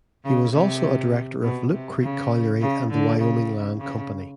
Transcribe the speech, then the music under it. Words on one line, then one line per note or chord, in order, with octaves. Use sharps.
He was also a director of Loup Creek Colliery and the Wyoming Land Company.
C#3
C3
B2
C3
C#3
C#3
D3
C#3
C#3